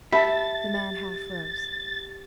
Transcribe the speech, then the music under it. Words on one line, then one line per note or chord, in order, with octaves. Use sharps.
The man half rose.
G4 E5 A5 B5 A6